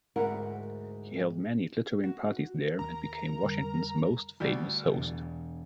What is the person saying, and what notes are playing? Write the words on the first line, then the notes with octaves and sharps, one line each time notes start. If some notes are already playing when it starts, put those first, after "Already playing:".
He held many glittering parties there and became Washington's most famous host.
D2 G#2 E4 A#4 F#5
F#4
D#2 A#4 A#5
F1 D3 G3
D2 G3
E1